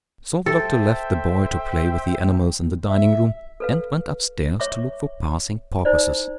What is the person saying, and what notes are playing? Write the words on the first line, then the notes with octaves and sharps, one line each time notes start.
So the Doctor left the boy to play with the animals in the dining-room, and went upstairs to look for passing porpoises.
A4 C5 E5 G5
E5
A4 B4 F5
C#5 E5 C#6 D6
D#4 E4 C5 D5